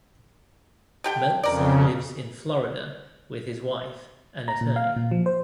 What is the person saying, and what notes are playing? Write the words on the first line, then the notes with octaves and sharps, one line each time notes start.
Meltzer lives in Florida with his wife, an attorney.
D3 G4 G5
F2 C#3 A#4 D5
A#5
A#2
F5
A#2
F3
C5